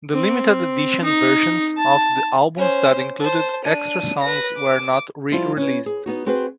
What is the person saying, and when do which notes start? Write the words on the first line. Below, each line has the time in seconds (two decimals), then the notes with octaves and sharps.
The Limited Edition versions of the albums that included extra songs were not re-released.
0.13 C4
1.04 D#4
1.77 A5
2.57 C#4 C5
3.20 C5 A5
3.64 D4 D#7
4.22 B4 A#6
4.56 D6
5.32 F3 G3 E4 F4 D5
5.57 C#4 B4
5.86 G#4
6.06 B3 D#4 F#4
6.26 C4 F#4 G#4 B4 C5